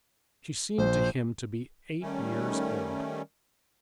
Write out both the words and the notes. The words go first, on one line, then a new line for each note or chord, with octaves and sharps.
She seemed to him to be eight years old.
A#1 C5
D#3 G3 A3 C#4